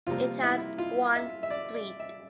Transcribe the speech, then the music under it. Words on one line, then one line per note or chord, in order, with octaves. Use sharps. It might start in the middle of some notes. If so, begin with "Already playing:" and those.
It has one street.
F2 C3 G3 A#3 F4
E4
F4
E5
E5
D5
D5
E5